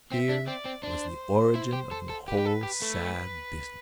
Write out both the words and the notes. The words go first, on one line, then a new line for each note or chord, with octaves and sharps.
Here was the origin of the whole sad business.
C4 E5
D4
C4 D5
C4
D4 C5
E4
G4
A4
A4
G4 B4
G4
A4
G4
A3